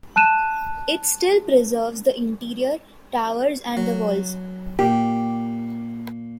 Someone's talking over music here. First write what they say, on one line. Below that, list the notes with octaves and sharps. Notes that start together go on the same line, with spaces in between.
It still preserves the interior, towers and the walls.
A5 F#6 D#7 E7
F#3
A#2 G4